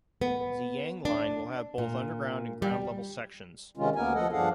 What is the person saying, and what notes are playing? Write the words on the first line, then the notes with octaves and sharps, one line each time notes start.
Ziyang Line will have both underground and ground level sections.
B3
D4
A#2
G3
C3 D#3 G#3 C#4 F4
D2 A#3 B3 A#4 G#5
F3 A4 D#5 F#5
G2 F3 D4 G#4 F5 F#5